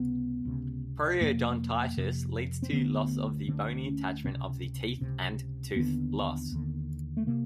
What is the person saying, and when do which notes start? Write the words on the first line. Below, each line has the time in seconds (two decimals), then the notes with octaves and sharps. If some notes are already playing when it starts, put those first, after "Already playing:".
Periodontitis leads to loss of the bony attachment of the teeth and tooth loss.
Already playing: C#2 C3 B3
0.45 C#2 C3
1.21 F2 C3 A#3
1.97 F2 C3
2.62 C4
2.73 D2 D3 B3
3.48 D2 D3 C4
3.87 C#4
4.24 C#2 C3 C4
5.00 C#2 C3
5.76 D#2 D3 B3
6.52 D#2 D3
7.17 A3
7.27 C3 A#3